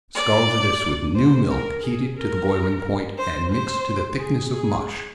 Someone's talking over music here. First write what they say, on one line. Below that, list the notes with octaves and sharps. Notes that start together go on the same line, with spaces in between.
Scald this with new milk heated to the boiling point and mix to the thickness of mush.
D5
C5
A#4
G#4
A#4
C5
C5
G#4
G#4